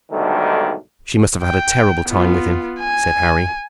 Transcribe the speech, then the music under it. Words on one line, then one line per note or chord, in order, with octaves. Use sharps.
"She must have had a terrible time with him," said Harry.
B1 G#2 D3 D#3 G3 A3
G5
B3 F4
G#5